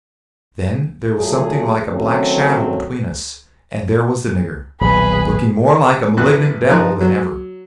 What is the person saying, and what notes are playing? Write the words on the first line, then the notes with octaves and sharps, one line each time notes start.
Then there was something like a black shadow between us, and there was the nigger, looking more like a malignant devil than ever.
A#2 F#3 A3 G#4
D#3 F#3 A3 C4 C#4
D#1 B1 G#4 B4 B5
A1 E3 F#6
C3 F3 D#4 A#4 F#6
F#3